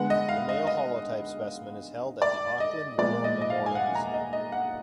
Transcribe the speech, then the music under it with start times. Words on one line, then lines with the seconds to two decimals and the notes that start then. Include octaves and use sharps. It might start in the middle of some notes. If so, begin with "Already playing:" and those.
The male holotype specimen is held at the Auckland War Memorial Museum.
Already playing: D3 G#3 B3 F#5
0.10 D#5
0.29 F5
0.49 D#5
0.67 D#5
2.22 D5
2.60 D#5
2.98 A#2 F3 G#3 B3 D5
3.24 D#5
3.42 D#5
3.50 F5
3.66 G#5
3.75 F#5
3.95 A#5
4.14 D#5
4.33 D#5
4.52 F#5